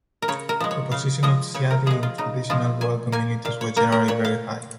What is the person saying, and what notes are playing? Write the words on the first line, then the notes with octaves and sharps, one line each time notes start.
The position of dziady in traditional rural communities was generally very high.
A#4
C#3 C#5
A#4
F3 G#3
C#5
C#3 F5
F3 G#3 D#5
C#3 C#5
A#4
F3 G#3 G#4
F4
C#3 D#4
F3 G#3 F4
A#2 G#5
A#3 G#5
A#2 F5
C#5
A#3 A#4
A#4
A#2 C#5
F5